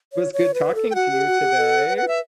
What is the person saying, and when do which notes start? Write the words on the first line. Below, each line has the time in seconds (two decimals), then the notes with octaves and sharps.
it was good talking to you today!
0.13 C#5
0.33 C#5
0.54 B4
0.75 A4
0.91 G5
0.95 F#4 F#5
1.11 G4
1.27 F#4
1.41 G4
1.58 A4
1.88 B4
1.98 F#5
2.08 E5